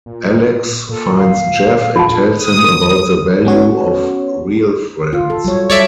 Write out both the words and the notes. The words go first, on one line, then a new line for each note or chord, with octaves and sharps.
Alex finds Jeff and tells him about the value of real friends.
A#2
A#2 A4
F5
F4 A5
D#6
B3 C#4 F#4 C#5
F4
A4
F#3 G3 C#5
G3 A4 C#5 D5 E5